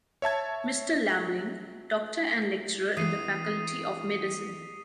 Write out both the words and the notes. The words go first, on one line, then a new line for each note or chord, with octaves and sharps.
Mister Lambling, doctor and lecturer in the Faculty of medicine.
C#5 E5 A5 G#6
E3 C4 F#5 D#6 C7 D#7